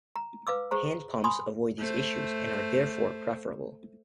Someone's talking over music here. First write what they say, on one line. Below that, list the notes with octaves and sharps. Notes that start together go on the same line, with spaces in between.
Hand pumps avoid these issues and are therefore preferable.
A#5
B4 F5 D6 E6
G4 G#4 C5 A#5
G#5 B5 C6 D#6
A3 C5